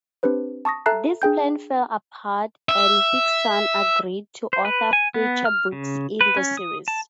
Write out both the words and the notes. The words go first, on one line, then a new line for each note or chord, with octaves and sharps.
This plan fell apart and Higson agreed to author future books in the series.
C4 D4 G4 B4 C5
A5 C#6 D#6 A#6
A4 E5 A5 A#5 F#6 C7
D4 G#4 G5 G6
E5
C5
B4
G#5
B3
F6
C#3
B4
C#4
D#6
A5